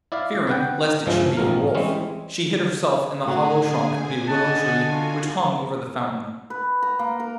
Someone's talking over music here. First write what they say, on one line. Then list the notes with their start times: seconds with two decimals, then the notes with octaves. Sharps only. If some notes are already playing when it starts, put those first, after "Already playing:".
Fearing lest it should be a wolf, she hid herself in the hollow trunk of a willow tree which hung over the fountain.
0.12 E4 D5 E5 F5
0.47 B4 F#5 G5
1.06 C#2 G2 C#3 E3 F3
1.37 A1 B2 F3 A#4
1.75 E3 G3 G#3 C4 C#4
3.26 A2 D3 F#4 G#4 G#5
4.28 D#5 F#5 A5
4.88 F4 F#4
6.50 B4
6.83 A#5
6.99 A#3
7.20 A#4